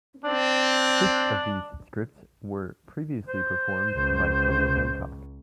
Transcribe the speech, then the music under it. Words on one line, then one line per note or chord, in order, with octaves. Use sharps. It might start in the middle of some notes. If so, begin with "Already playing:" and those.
Six of these scripts were previously performed by Tony Hancock.
C4 D4
C5
C#2